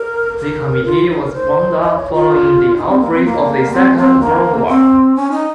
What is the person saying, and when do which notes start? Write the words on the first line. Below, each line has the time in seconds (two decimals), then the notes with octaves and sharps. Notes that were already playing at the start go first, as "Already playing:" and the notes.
The Committee was wound up following the outbreak of the Second World War.
Already playing: A#4
0.38 A#4
0.85 F4
1.10 D#4
1.25 A#4
1.33 C5
1.81 D#5
1.97 C#5
2.13 F4
2.76 D#4
2.89 C4
3.01 A#3
3.13 C4
3.25 A#3
3.72 C4
3.96 C4
4.20 A#3
4.68 C4
5.16 C#4
5.31 D#4